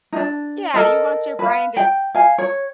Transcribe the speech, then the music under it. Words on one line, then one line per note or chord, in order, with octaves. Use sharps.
Yeah, you want your brain to
D4 D#4
A4 A#4 D#5
B4 F5
G5
F5 G#5
C#5